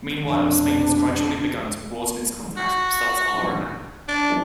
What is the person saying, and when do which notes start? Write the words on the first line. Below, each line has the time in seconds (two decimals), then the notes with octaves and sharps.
Meanwhile, Spain has gradually begun to broaden its contacts with Sub-Saharan Africa.
0.25 F1 F2 B2 D4
2.57 F#4
4.08 D4